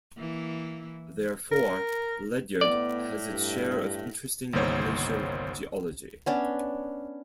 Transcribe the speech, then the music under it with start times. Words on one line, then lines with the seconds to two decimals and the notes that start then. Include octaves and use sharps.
Therefore, Ledyard has its share of interesting glacial geology.
0.17 E3 A#3 E4
1.52 A#4
2.61 A2 B3 D5
3.29 G2
4.53 G1 C2 D#3 A#3 C5 C#5
6.26 B3 C#4 D4